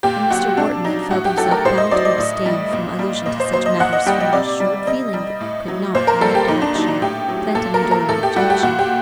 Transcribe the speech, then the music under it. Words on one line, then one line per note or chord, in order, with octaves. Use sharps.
And Mr. Wharton had felt himself bound to abstain from allusion to such matters from an assured feeling that he could not in that direction plant an enduring objection.
A#2 G4
F#3 F#4
C3 D4
F#3 D#4
A2 F#4
G4
F#3 A4
A#4
A2 C5
D#5
F#3 D5
D#5
A2
G3
A#2
G3
A#2 D#5
C5
F#3 C5
D#5
A#2 F#5
D#5
G3 G4
D#5
C3 D5
G3
C3 D#5
G3
A2
F#3
A#2 C5
A#4
G3 A4
G4
A#2 D#4
D4
F#3 D#4
D#4
A2 G4
F#3
A#2 A4
A#4
F#3
A#4
A2 A4
G4
G3 F#4
G4
A#2 F#4
G4